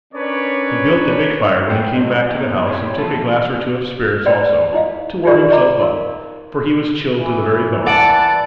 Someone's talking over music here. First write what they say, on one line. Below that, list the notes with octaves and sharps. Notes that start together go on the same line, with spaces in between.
He built a big fire when he came back to the house and took a glass or two of spirits also, to warm himself up, for he was chilled to the very bone.
C#4 D4 A#4 B4 C#5 D5
C4 C5 F#5 G5
G#2 B2 F#3 C4 D#5
A#3 B3 D#4 E4 G4
C4 E4 G4 G#4 C#5
E3 F3 A#3 E4 F4 A4
B4 D5 F#5 G5 B5
D#4 E4 D#5 F5
D#4 F4 G4 G#4 D5 F5
D5 D#5 A#5 B5 D6
D#4 A#4 F5
E3
D5 F#5 A5